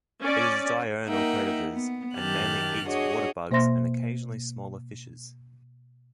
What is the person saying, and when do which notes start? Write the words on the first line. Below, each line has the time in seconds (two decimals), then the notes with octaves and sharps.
It is a diurnal predators and mainly eats water bugs and occasionally smaller fishes.
0.20 C#4 D5
1.07 A#3 D#4 A#4 E5 F#5 G5
1.73 B3
2.16 F#2 D#3 G4 A5 F6 F#6
2.86 D4 F#4 G#4 C#5 D#5
3.51 B2 A#3 C5 E5 C6 A#6